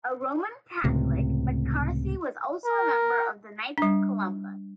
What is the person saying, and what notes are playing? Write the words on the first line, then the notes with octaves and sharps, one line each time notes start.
A Roman Catholic, MacCarthy was also a member of the Knights of Columbus.
C#2 A2 C3
A#4
G3 D4